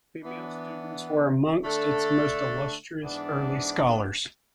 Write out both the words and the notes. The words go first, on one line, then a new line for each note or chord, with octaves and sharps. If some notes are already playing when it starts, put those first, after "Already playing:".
Female students were amongst its most illustrious early scholars.
E3 B3 D4
D3 A3 D4 A4
G#2 E3 B3 D4